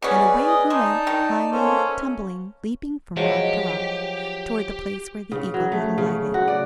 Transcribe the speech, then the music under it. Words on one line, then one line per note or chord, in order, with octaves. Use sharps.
And away he went, climbing, tumbling, leaping from rock to rock, toward the place where the eagle had alighted.
B2 C#4 G#4 B4 D5
D#5
G#3 D#4 D5 A5
D#3
A#3 C#4 A4 C5
F3 F#3 G#3 G4
C#3
F#3
A3
C#3
F#4
D5